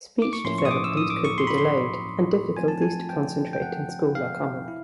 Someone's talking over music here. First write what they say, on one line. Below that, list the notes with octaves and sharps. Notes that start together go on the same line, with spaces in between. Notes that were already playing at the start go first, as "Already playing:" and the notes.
Speech development could be delayed and difficulties to concentrate in school are common.
D6
C#6
A2 F3 A#3 C#4 E4 C6
C#6
D#6
D6
E6
D#6
D6
C#6
C6
B5
C6
F3 A3 C4 F4 G#5
A5
G#5
G5
G5
F#5
F5
E4